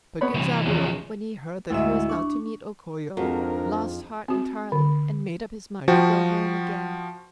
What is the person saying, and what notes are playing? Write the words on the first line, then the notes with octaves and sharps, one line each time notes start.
But Genzaburo, when he heard that he was not to meet O Koyo, lost heart entirely, and made up his mind to go home again.
B3 C#5 B5
C2 E3
E2 C#3 F3
D2 G#2 E4 E5
D4 C#6
F2 G#2 D4 F#4 A#4
C4 F#4
D3
F3 F#4 G5